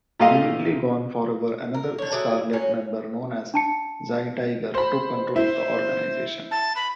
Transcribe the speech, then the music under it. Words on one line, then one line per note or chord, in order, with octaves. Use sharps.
Seemingly gone forever, another Scarlet member known as Xi-Tiger took control of the organization.
A#2 A3 G4 D#5 F5
A#4
D3 C#5
D3 F#3 E4 G#4
F#3 C#4
D4 A5 C#7
C5 B5
E4 C5
A5
B5